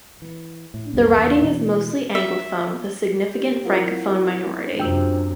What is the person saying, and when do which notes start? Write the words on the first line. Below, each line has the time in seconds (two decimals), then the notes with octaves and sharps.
The riding is mostly anglophone with a significant francophone minority.
0.22 E3
0.74 A2
0.94 C2 F#2
1.18 E2 C#3
1.41 B2 D#3 E3
2.15 E5
3.28 G4
3.64 F#3 C4 E4 F4 A#4 F#5
4.80 F#2 C3 D4 F4 C5 G5 E6